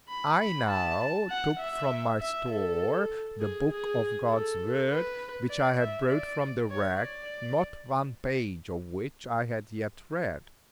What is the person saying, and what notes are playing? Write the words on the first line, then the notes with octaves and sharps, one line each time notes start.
I now took from my store the Book of God's Word, which I had brought from the wreck, not one page, of which I had yet read.
B5
B5
A5
F#5
E5
E5
A4
G#4
G#4
A4
B4
D5
E5
D5
C#5
D5